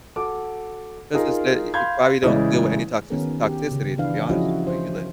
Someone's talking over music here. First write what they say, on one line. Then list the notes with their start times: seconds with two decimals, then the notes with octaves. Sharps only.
'cause it's the y you probably don't deal with any toxici toxicity, to be honest, the way you live.
0.16 F#4 A4 D6
1.14 D#4 F4 G#4 A#4
1.74 F5 B5 C6 G6 G#6
2.22 A1 C#3 G#3 E4 D5
3.10 D#3 B3 C#4 F#4 G#4 A#4
3.45 G4
3.72 C#3
3.98 E3 D4 B4 F5
4.30 F3 C#4 E4 F#4 G#4 D#5
4.67 C5